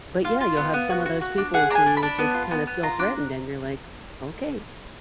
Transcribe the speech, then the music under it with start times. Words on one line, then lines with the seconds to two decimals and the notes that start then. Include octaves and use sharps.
But, yeah, you'll have some of those people who just kinda feel threatened and you're like, "Okay."
0.24 F4 F5
0.41 F4
0.57 B3
0.74 B3
0.89 F#4
1.06 F#4
1.21 F#4
1.38 D4
1.54 G#4 F#5
1.70 D4 A#5
1.75 G#5
1.86 D4
1.97 B5
2.02 D4
2.18 B3
2.34 F4
2.51 B3
2.67 B3
2.83 F4 A#5
2.99 D4